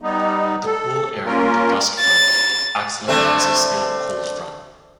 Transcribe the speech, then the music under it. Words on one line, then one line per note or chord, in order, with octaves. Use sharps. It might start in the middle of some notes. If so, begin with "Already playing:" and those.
The cool air in the gust front acts like a mesoscale cold front.
G3 B3 D#4
A4
A#3 C#4 F4 A#4
A6
D3 A3 C4